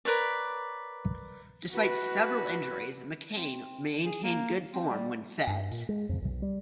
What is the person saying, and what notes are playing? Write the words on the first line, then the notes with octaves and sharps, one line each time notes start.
Despite several injuries McKain maintained good form when fit.
A#4 B4 C#5 D5
F#4 B4
C4
G#4
A#3
C4
G3
G2
A#2
G#3
F2
B1
G3